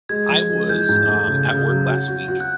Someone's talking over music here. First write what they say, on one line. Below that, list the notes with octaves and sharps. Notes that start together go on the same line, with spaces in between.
I was, um, at work last week,
G#3 G#6
F3
G#6
G#3
E3 G6
G#2
A3
C#3
C#3
F#3
F#4
F#4
F#4
F#6